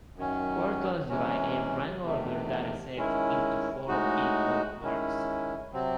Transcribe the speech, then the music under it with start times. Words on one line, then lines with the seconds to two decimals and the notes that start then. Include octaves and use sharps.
Quartiles divide a rank-ordered data set into four equal parts.
0.16 F#2 D#3 F#3 C#4
1.09 C3 E3 G#3 C#4
2.02 E2 C3 D#3 A3
2.95 D#3 G#3 C#4 E4
3.88 A2 G#3 D#4 F#4
4.80 D#3 G#3 C#4 E4
5.73 C3 F#3 C4